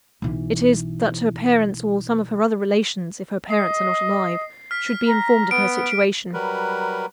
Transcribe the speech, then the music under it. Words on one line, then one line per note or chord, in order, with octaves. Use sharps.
It is, that her parents, or some of her other relations, if her parents are not alive, should be informed of her situation.
B1 E3
D#5 C7
F6 B6
A#5
B3 D7
F#3 G3 A#4 B4